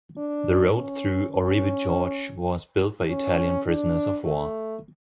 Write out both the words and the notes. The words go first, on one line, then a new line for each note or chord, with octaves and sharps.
The road through Oribi Gorge was built by Italian prisoners of war.
D4
C#4
C#4
C#4
D4
A3